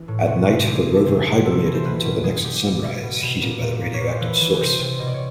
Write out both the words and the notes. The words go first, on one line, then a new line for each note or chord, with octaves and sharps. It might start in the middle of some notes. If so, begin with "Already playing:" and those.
At night the rover hibernated until the next sunrise, heated by the radioactive source.
Already playing: E3
A2
C3 F#4
C3
G4
E3 G#4
E3
A4
C3 G#4
C3
C3 A4
E3
C5
B2 B4
B2
B2 G#4
B2 G4
B2
B2
B2
B2
A#2
A#2
A#2
C#5
A#2
C5
E3 B4
E3
C3 C5
C3
B2 D#5
D5
C#5